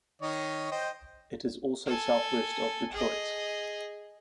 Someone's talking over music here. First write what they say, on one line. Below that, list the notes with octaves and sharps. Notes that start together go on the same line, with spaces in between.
It is also southwest of Detroit.
D#3 C#5 D#5
C5 D#5 G5
A4 G#5
G#4 D#5